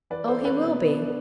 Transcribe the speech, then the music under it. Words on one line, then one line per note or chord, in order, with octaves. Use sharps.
'Oh, he will be.
E3 B4 D5
A4 C5
A3 C4
B4 D5
B2
B3 D4